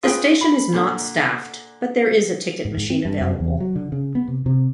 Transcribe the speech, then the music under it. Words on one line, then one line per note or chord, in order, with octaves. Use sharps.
The station is not staffed, but there is a ticket machine available.
F4 G#4 B4 G5
B5
A#2 D3
G#2
G#2
C4
G2
F#2
E2
F#3
D3
C#3
B3
C3
C3